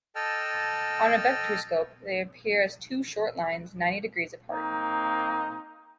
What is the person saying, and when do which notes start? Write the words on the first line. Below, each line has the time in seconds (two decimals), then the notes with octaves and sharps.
On a vectorscope, they appear as two short lines ninety degrees apart.
0.16 A4 D#5 G5 A5 E6 F6
4.51 A#3 C4 D#4